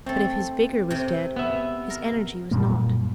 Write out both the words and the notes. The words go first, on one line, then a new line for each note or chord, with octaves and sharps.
But if his vigor was dead, his energy was not.
A3 C4 A4
C3 G5
B3 E5
A#4
F#2 A#2 G3 A#3